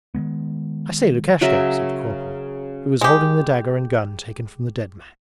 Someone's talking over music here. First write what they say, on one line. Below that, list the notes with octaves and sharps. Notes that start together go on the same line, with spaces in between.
'I say, Lukashka,' said the corporal, who was holding the dagger and gun taken from the dead man.
D#3 F#3 G#3 B3
C#3 F#3 A#4 E5
G#3 G4